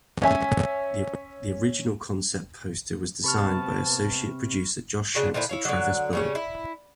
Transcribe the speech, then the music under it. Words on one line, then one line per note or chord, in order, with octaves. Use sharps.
The original concept poster was designed by Associate Producer Josh Shanks and Travis Bow.
C#4 C#5 E5 G#5
C3 B3 A5 B5 C#6 F6
C#3 D4 F#4
A#2 D3 F3 E4
E4 C#5 F5
D3 F#3
C#3 G3 C#4
E4